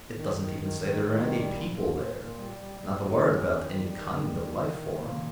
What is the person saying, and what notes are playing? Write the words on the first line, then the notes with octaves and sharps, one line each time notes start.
"It doesn't even say there are any people there. Not a word about any kind of life form."
D#3
D#3
D#3
D#3
D#3
G3
A#2
A#2
A#2
A#2
G3
G3
G3
D#3
C#4
D#3
G3
D#3
G3
D#3
D#3
A#2
A#3